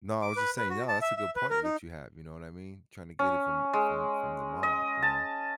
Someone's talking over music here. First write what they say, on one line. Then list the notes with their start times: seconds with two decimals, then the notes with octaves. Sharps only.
No, I was just saying No, that's a good point that you have, you know what I mean? Tryna get it from from from the mar, you know?
0.22 D6
0.36 B4
0.58 B4
0.70 F#4
0.88 A5
1.02 E5
1.16 E5
1.36 B4
1.50 A#4
1.64 D#4
3.19 C#4
3.73 G#3
4.63 D#5
5.02 A5